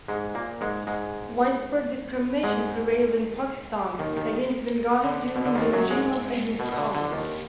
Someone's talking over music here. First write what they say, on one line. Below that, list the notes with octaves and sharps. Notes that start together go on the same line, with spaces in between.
Widespread discrimination prevailed in Pakistan against Bengalis during the regime of Ayub Khan.
G#2 G#3
A#2 A#3
G#2 G#3
G#2 G#3
G#2 G#3
D#2 D#3
D#2 D#3
D3
B2
D3
D#2 D#3
F#2 F#3
G#2 G#3
B2
B2
D3
D3
D#2 D#3